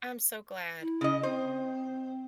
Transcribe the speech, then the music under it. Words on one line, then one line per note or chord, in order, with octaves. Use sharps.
I'm so glad.
E4
C#3 D#5
C4 C5